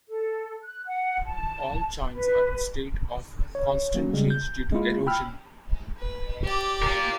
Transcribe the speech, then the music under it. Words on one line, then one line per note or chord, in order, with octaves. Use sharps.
All chines are in a state of constant change due to erosion.
A4
F#6
F#5
A5
B4
C#5
F#3 A#3 C#4 F#4
C#3 G3 G#3
G6
G#3 A#3 E4 F4
G5 B5 E6 F6
B4
G4 D5
F4 A#4